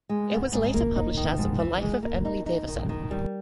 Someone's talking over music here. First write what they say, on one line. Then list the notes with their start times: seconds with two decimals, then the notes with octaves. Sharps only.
It was later published as "The Life of Emily Davison".
0.09 G#3
0.31 B3
0.52 G#2
0.74 A#3
0.96 D#4
1.17 D#3
1.38 G#2
1.59 E3
1.82 G#3
2.03 A#3
2.25 D#4
2.46 D#4
2.68 D#3
2.89 D#3
3.11 G3